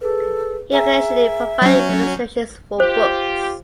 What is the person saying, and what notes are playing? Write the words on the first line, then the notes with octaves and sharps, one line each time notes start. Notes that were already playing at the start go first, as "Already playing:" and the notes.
He occasionally provided illustrations for books.
G#4 A4 B4
G#4 E5 G#5 A#5
F#3 C#4 G6
F4 G4 C5